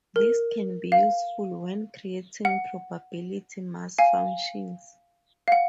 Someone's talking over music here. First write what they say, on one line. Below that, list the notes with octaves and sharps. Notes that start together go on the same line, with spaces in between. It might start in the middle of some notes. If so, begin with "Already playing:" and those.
This can be useful when creating probability mass functions.
A#4
F5
F#5
F5 G#5
F5
F#5